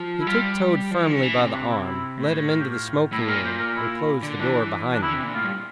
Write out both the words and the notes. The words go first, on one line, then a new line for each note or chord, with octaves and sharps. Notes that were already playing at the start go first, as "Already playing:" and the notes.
He took Toad firmly by the arm, led him into the smoking-room, and closed the door behind them.
Already playing: F3
E4
G3 F4
F3
E3
D3
E3
C3
D4
E4
E4
A2
F4
G4
F4
A2 E4
A#2 A#4
A#2 C5
A#4
E4
D3
E3 D4
D4
D3 E4
C3
A#2
A2 F4
G2